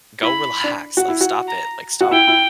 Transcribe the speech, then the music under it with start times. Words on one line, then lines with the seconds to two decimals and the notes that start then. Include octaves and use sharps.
go relax. Like, stop it. Like, stop
0.22 E4 B5
0.64 D4
0.97 F#4
1.08 E4
1.21 F#4
1.48 A#5
2.01 F#4
2.11 E4 G5
2.28 E4